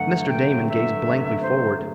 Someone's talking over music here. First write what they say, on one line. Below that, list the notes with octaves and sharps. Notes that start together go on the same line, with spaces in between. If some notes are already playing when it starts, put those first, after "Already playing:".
Mr. Damon gazed blankly forward.
Already playing: G2 D3 F#3 A3 F#5
G5
E5
C5